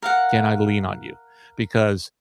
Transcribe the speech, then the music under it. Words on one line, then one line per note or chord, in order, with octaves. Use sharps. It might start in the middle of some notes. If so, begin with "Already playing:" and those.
Can I lean on you? Because
A#4 F5 F#5